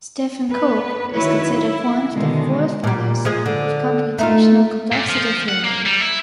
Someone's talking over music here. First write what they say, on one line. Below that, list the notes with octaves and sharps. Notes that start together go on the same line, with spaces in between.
Stephen Cook is considered one of the forefathers of computational complexity theory.
B3 B4
D#3 F#3 E4 B4 C#5
E4
B2 D3 D#3 G#3
A#2 G3
F3 G#3 G#4
D3
A3 D#4 F4
A#2
F3
F#5
A#3
G3
E4